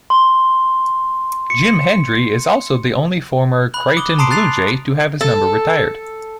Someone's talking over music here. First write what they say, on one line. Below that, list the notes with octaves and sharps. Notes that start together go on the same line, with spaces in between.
Jim Hendry is also the only former Creighton Bluejay to have his number retired.
C6
C#7
B5 F#6 F#7
D6 D#6 G7
A5 A#5 C6 D#6 C7 D7
F#6 A6 C7 F7
A4